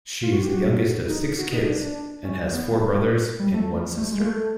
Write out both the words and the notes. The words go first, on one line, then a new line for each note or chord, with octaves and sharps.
She is the youngest of six kids, and has four brothers and one sister.
F4
F#4
G4
F#4
D#4
F#4
D#4
D4
D4
C#4
B3
G3
A3
A3
G#3
A#3
A3